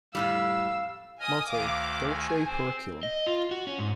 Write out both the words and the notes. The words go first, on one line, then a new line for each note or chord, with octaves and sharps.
Motto: Dulce Periculum.
F2 A2 G3 F5 E6
D#5 G#5 D#6 F6
D2 D#3 F5 D6
G#4 G#5
C4 C5
D#5
F4
F#4
C#4
G#2